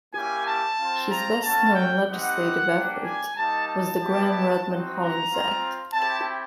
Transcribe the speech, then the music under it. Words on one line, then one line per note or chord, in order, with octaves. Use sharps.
His best-known legislative effort was the Gramm-Rudman-Hollings Act.
A#3 C#4 E4 G4 G#5
A5
C4 F4
A#5
A3 C#4 F#4 A5
G5
G3 C4 D#4 F#5
A#3 D4 G4
G#5
G3 A#3 D#4 A5
A5
B3 E4 G4
C4 D#4 F#4
A#5
C4 F4
C4 E4 G4 A5